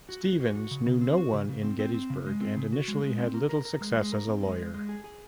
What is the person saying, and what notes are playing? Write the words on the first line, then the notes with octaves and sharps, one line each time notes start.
Stevens knew no one in Gettysburg, and initially had little success as a lawyer.
F#4
F#4
F#4
F#4
C#3
C#3
C4
F#4
C#3
C#3
C4
C4
C4
C#3
G#3
C4
C#3
F#4
G#3
G#3
C4
A#4
A#4
A#4
G#3
G#3
A#4
C4
G#3
G#3
G#3
G#4
G#4